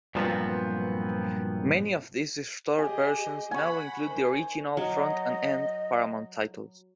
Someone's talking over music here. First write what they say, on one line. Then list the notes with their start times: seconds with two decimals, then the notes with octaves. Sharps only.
Many of these restored versions now include the original front-and-end Paramount titles.
0.15 G2 A#2 F3 F#3 B3 C4
2.78 G4 G#4 D#5 G#5
3.51 F#5 G#5 B5 C#6
4.04 D#3 C5
4.77 F#3 D#5